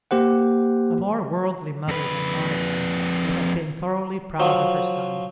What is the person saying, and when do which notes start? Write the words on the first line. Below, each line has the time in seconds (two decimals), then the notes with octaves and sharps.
A more worldly mother than Monica would have been thoroughly proud of her son.
0.11 A#3 G4 C5 F#5
1.88 F2 B4
4.40 F3 F#3